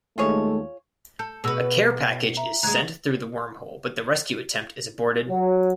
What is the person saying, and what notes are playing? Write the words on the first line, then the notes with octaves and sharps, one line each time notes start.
A care package is sent through the wormhole but the rescue attempt is aborted.
D#2 G#3 A3 F4 G#4 C#5
A4 G6
B2 F#4 G#4 B4 A5 E6
E5 A#5
D2 G#3 A#5 F#6 G#6
F#3